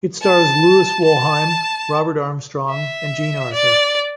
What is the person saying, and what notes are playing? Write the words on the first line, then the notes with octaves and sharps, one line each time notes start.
It stars Louis Wolheim, Robert Armstrong, and Jean Arthur.
A5
A5
E5
D5